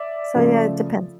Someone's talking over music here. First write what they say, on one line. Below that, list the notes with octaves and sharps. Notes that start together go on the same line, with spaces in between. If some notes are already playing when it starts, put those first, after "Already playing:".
So yeah, it depends.
Already playing: D5 E5
C#3 F3 A3